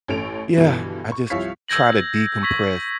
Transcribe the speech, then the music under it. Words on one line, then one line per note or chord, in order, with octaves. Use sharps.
yeah, I just t try to decompress
A1 C#4 A4 D7 F7
G2 B2 D3 E3 F3
C#6
C2 F3 E4 C#5 F5 B6
E6 G6 G#6 A#6 F#7
C#6 G#6 A#6 B6 F#7